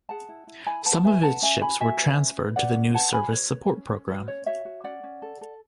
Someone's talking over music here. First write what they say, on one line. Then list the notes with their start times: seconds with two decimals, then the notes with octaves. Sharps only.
Some of its ships were transferred to the new Service Support program.
0.09 G#4 F#5 A5
0.29 E4
0.47 E4
0.66 E4 G#5 B5
0.86 B4 F#5 A5
1.04 B4 E5 G#5
1.23 B4 F#5 A5
1.42 C#4 E5 G#5
1.61 F#4 G#5 B5
1.80 F#4 E5 G#5
2.00 B4
2.18 C#4
2.37 B4
2.56 B4 D5 F#5
2.76 C#4
2.94 B4 F#5 A5
3.13 F#4 G#5 B5
3.32 B4 C#5
3.51 B4
3.70 C#4
3.89 C#4
4.08 F#4 B4
4.27 C#4 C#5
4.46 F#4 C#5 E5
4.65 F#4
4.84 C#4 D5 F#5
5.04 C#4
5.22 A4
5.41 A4